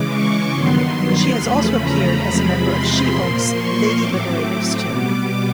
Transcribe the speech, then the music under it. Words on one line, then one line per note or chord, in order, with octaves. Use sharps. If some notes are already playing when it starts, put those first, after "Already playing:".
She has also appeared as a member of She-Hulk's "Lady Liberators" team.
Already playing: C#3 E3 G#3 D6
C#6
G2 D#3 F#3 B3 C6
C6
E2 C#3 F3 A3 C#4 B5
A#5
E2 C3 F3 G#3 C4 B5
C6
A#2 F3 A#3
C#6
A2 F#3 A3 C4 D6
B2 G3 B3 D6